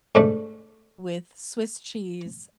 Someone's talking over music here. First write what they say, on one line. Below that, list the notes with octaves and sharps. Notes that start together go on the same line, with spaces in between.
with swiss cheese,
G#2 A3 D4